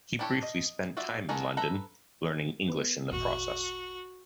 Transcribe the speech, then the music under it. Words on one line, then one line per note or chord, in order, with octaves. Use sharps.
He briefly spent time in London, learning English in the process.
D4 E4 G4 A4 C#5
D#5
F4 F#4 D5 E5
A3 B3 D#4 G#4 A#4
A4 B4 E5 A#5 B5
B3 B4
G#1 D#2 A#2 F#4